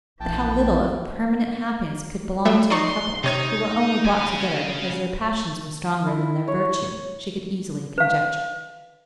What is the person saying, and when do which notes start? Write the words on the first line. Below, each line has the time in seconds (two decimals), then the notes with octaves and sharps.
But how little of permanent happiness could belong to a couple who were only brought together because their passions were stronger than their virtue, she could easily conjecture.
0.20 A#1 E3 G5 A5
2.45 F#3 A3 E5
2.71 D#4 D5 C6 C#6
3.24 C3 D#4 C#5 G#6
4.04 C#3 G#5
6.06 E4
6.48 C#5
7.98 B4 F5